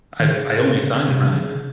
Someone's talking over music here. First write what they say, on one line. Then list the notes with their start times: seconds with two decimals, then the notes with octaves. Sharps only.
I've I only sign and rhyme.
0.20 D#3
0.27 C#3
1.09 C3
1.36 C#3